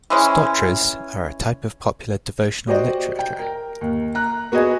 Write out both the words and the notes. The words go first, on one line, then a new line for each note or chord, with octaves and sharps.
Stotras are a type of popular devotional literature.
E3 G#3 C#4
F#4 G4 C5 D5 D#5
G5
A#4
D#2
A#5 F#6
B3 F#4 G#4 D#5 G#5